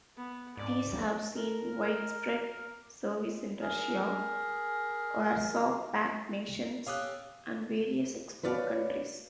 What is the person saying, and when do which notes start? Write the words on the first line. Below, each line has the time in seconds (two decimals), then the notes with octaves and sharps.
These have seen widespread service in Russia, Warsaw Pact nations, and various export countries.
0.17 B3
0.57 G#2 D5
1.34 A#4
3.61 G#4 A#4
6.87 C#4 G4 A4 F5 D#6 F#6
8.43 B4 C#5 D5 F5